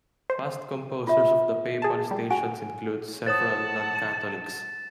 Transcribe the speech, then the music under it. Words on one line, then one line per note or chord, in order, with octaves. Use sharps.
Past composers of the Papal Stations include several non-Catholics.
C5
F4 E5
G#4 A5
G3
F#4 G#5
C5 C#5 F#5 A5 D#6 A6 E7